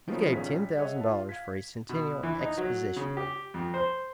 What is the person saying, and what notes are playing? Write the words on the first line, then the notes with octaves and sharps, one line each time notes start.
He gave ten thousand dollars for a Centennial Exposition.
D#3 F3 F#3 A3 B3 C#4
A#1 C#4 F4 G#4 B6
G3
G#4 C#5 D#5 E5 F#5
F4 A5
F5 G#6 B6
B2
E3
D#4
F#3
C#3
G4
F2
C5